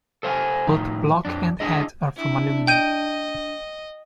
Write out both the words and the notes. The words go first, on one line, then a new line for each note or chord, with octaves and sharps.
Both block and head are from aluminium.
A4 C5 F5 G5 G#5
A2 F3 D#4
F2 D4
D4 E4 G#4 D#5
D4 E4
D#5 G5 G6 D#7